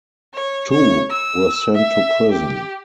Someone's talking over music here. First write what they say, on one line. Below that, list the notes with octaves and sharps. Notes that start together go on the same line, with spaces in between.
Two were sent to prison.
C#5
C#5
E6
E5
G4